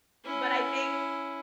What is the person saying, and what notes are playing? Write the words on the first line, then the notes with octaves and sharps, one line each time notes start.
But, I think
C#4 E4